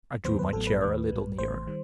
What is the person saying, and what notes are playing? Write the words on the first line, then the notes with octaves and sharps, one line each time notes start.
I drew my chair a little nearer.
D#2 D#3 F#3 B3 C5
B4
A1 A2 F#3 B3 A4
B4
D#2 D#3 A3
B1 A2 G3
A1 A2 E3 A3 C5
D#3 G3